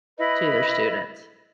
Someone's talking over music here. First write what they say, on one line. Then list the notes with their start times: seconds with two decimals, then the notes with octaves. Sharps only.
to their students.
0.19 E4 B4 D#5 B5